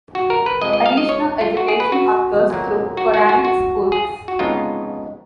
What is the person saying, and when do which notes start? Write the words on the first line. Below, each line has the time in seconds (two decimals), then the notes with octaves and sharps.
Additional education occurs through Koranic schools.
0.15 F#4
0.30 A#4
0.46 B4
0.61 F2 F3 G#3 D#5
0.73 D#5
0.86 F5
0.97 D#5
1.09 C#5
1.41 F4
1.57 F#4
1.68 G#4
1.80 B4
1.92 F#4
2.50 A#2 F#3 A#3
2.97 F#4
3.14 F#4
3.29 F#4
3.45 F#4
3.92 G#4
4.28 F#4
4.39 F2 C#3 G#3 B3 D#4 F4